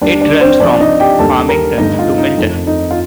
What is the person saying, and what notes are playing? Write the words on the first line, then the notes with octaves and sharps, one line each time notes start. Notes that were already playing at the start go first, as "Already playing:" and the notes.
It runs from Farmington to Milton.
D#2 D3 G3 D4 D5
D4 D5
C4 C5
C2 C3 F3 D4 D5
D#4 D#5
G4 G5
D#2 D3 G3 A#3 A4 A5
A#4 A#5
G1 G2 D3 A3 D#4 D#5
F4
D#4
F2 D#3 A3
D#4
F4